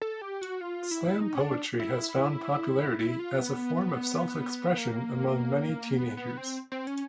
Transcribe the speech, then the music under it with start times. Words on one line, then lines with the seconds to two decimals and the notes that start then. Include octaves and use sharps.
Slam poetry has found popularity as a form of self-expression among many teenagers.
0.02 A4
0.21 G4
0.41 F#4
0.61 F4
0.91 E4
1.20 D#4
1.35 C#4
1.40 D4
1.80 E4
2.99 E4
3.19 F4
3.39 B3
4.78 A#3
5.97 B3
6.17 B3
6.37 C4
6.72 C4
6.87 C#4